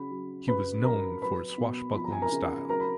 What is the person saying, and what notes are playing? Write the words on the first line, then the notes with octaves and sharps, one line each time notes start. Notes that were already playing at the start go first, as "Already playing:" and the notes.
He was known for his swashbuckling-style.
Already playing: C#3 F#3 B5
F#3
C#3 B4 B5
F#3 A#4 A#5
F#3 B4 B5
B2
F3 B5
A#5
G#5
A#4 A#5
C#3
F#3 A#4 A#5
B5